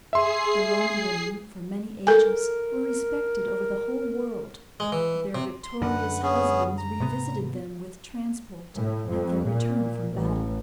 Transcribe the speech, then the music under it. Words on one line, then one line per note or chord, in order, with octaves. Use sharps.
The Roman women, for many ages, were respected over the whole world. Their victorious husbands re-visited them with transport, at their return from battle.
G#4 E5 C6 C7
A4 A#4 G#5
G#3
E3
C3
C6
F#2 D3 B4 F#5
B3 C#4 G#4
A#5
G#2 C3 B3
A2
F2
A#2
A1